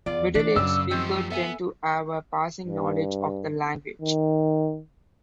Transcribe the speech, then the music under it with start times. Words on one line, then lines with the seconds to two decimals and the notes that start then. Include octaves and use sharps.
Middle aged speakers tend to have a passing knowledge of the language.
0.06 E2 F4 D5
0.35 D3 E3 D4 D5
0.56 F#2 C#3 E6
0.91 D#3 F3 C4 G4
1.30 B3 A4 E5 G#5
2.66 G2
4.02 D#3